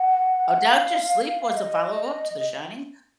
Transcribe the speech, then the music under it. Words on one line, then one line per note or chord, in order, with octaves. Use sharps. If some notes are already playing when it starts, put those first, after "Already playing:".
Oh, Doctor Sleep was a follow-up to The Shining?
Already playing: F#5
F5
D#5